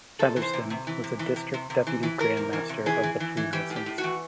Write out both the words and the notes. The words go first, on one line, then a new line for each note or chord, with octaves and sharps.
Featherston was a District Deputy Grand Master of the Freemasons.
C3 A4
E3
C5
C3
C3
E3
C3
E3
C3
C3
C3
E3
E3
E3 A#4
C3
E3
C3
E3 G#4
E3
E3
E3
E3 G4
A2
G4
A2
F#4
E3